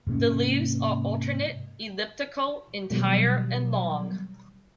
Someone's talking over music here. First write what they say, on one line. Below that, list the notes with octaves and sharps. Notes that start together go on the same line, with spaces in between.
The leaves are alternate, elliptical, entire, and long.
G#2 C3 A#3 C#4
B2 D#3 F#3 G3